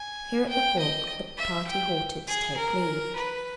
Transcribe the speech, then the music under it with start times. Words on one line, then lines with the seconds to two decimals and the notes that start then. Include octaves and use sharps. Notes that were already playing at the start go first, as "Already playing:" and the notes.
Here, at the fork, the party halted to take leave.
Already playing: G#5
0.49 G5
0.79 D#5
1.38 E5
1.67 G5
2.27 G#4
2.57 A#4
3.16 B4